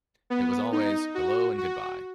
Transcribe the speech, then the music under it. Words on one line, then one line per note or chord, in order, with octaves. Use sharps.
It was always 'hello and goodbye'.
B3
D#4
F#4
F#4